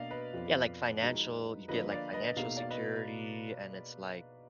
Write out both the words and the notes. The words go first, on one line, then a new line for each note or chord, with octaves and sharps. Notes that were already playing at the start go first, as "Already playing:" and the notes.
Yeah like financial you get, like, financial security, and it's like
Already playing: B2 A#3 D4 F#4 D5 D#5 F5
B4 D#5
F2 F3 B3 F4
F3 G#3 D#4 F#4
D3 F3 A#3 D4 B4 D#5
D5 F5
B4 D#5
B2 A#3 D#4 G#4 F5
D5 F5
B4 D#5